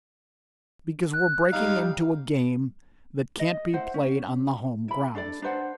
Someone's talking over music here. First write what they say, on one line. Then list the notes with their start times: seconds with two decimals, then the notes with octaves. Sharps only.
Because we're breaking into a game that can't be played on the home grounds.
1.13 F#6
1.53 G3 D#4 F5
3.39 D#5
3.73 E4 C5 F#5
3.94 C#4
4.88 E4 B5
5.15 D4 A4 D5
5.42 D4 B4 C5 F#5